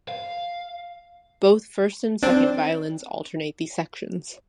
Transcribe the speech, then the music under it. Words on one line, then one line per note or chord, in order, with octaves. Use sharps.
Both first and second violins alternate these sections.
F5
C4 D4